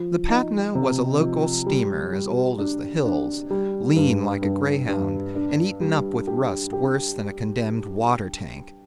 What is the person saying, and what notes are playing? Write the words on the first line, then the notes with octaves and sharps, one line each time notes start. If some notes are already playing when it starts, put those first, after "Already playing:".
The Patna was a local steamer as old as the hills, lean like a greyhound, and eaten up with rust worse than a condemned water-tank.
Already playing: F3
D#4
C3
F3
G3
G3
D4
D4
G3
G2
G2
G2
D4
G3
G4
G4